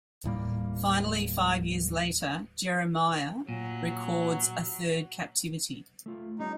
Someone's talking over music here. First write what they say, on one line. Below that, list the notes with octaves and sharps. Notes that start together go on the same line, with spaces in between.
Finally, five years later, Jeremiah records a third captivity.
D#1 A2 G3 A#3
A#2 F#3
A3 F4
G3 C#4 D#4 C#5